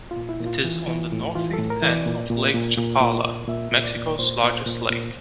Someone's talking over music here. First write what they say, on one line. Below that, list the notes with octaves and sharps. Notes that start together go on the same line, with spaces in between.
It is on the northeast end of Lake Chapala, Mexico's largest lake.
F4
A#2
E4
A#2
F4
E3
E3
A2
E3 F4
A4
A2
A#4
E3
D5
A#2
A#2
A#2
A#2
A#2
A#2
A#2 E5
A#2
D5
A#2
A#2 C5
A#2
A#2
A#2